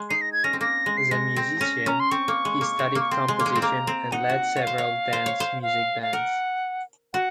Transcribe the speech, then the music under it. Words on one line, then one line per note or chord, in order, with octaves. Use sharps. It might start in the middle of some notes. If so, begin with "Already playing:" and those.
As a musician, he studied composition and led several dance music bands.
Already playing: G#3
D#4 C7
A#6
G#6
C#4 A#6
C4
A#3 A#6
G#3
C7
G#3 A#6
C4
C#4
C#4 A#5
C6
C4 C#6
A#3
G#3
A#3
C4
A#3 C#6
C4 C6
G#3
A#3
G#3
C4
A#3 A#5
C4
D#4 F#5
F#4
C#5
C5 F5
C#5
C5
C#5
C5
F5
F5
A#4 F#5
F#4 F#5